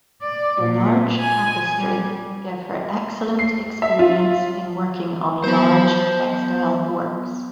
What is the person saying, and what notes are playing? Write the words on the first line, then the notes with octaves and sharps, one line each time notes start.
The large tapestry gave her excellent experience in working on large textile works.
D5
A#2
G#5
G3
C7
E5
F4
F#3 B3 C5 A5